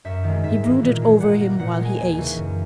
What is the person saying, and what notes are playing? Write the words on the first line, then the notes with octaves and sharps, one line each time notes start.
He brooded over him while he ate.
F#2 E5
D#3
G#3
G#2 E5
E3 A#3
A#2
G#3
A#2 F#5
A#3
A#5
A#2 F#5
A#5
G#3
G#5
D#2 G#5
C#3 E3
F#2